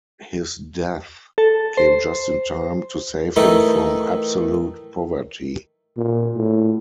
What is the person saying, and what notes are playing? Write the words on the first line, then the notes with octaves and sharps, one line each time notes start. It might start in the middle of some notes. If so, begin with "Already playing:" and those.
His death came just in time to save him from absolute poverty.
A4
C5
D#3 E3 A3 D#4 A4
A#2
A2